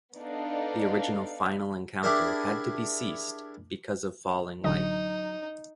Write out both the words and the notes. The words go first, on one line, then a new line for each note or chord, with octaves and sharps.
The original final encounter had to be ceased because of falling light.
B3 D4 D#4 A4 D5 F5
D4 E4 G4 G#4 A#4 D5
A1 D3 F#3 D#4 D#5